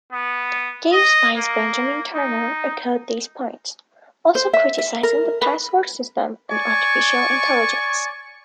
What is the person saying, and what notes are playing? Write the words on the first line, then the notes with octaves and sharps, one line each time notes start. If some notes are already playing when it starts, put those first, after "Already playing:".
GameSpy's Benjamin Turner echoed these points, also criticizing the password system and artificial intelligence.
B3
D#5
A#3
D#4
C5
E5
E5
A#4
B4
C#5 D5 G#5 C#6